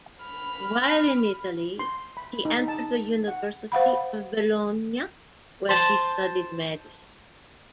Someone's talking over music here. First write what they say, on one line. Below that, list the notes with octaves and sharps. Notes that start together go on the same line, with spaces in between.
While in Italy he entered the University of Bologna, where he studied medicine.
B5 F6
C6
B5
D#4
A5
F#5
C5 F5 F#5 B5
C5 A5